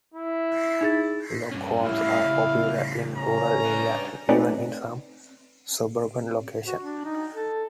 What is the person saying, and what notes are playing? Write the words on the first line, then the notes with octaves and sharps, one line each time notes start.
Log homes are popular in rural areas, and even in some suburban locations.
E4
D#4 G#4 A6
G2 C#4
A2 G3 C#4 E4 F5
A2 C#3
C#4 A#5
D4 B4
A3 C4 C#4 D#4 B4 D5
F#4
D4
D#4
A4